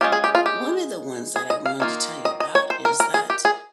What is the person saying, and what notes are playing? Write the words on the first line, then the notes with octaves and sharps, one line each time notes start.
one of the ones that I wanted to tell you about is that
G#3 C#4 F4 G4
G#4
G4
F4
G4
G#4
D#5
F5
D#3 A#3 F4
D#5
D#5
C#5
C5
A#4
A#4
G#4
G4
G#4